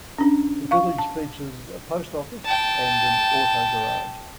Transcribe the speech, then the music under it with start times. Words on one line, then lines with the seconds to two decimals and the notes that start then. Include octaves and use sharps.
The village features a post office, and an auto garage.
0.18 C#4 D4
0.71 F5 C#6
0.98 A5
2.45 G5 A5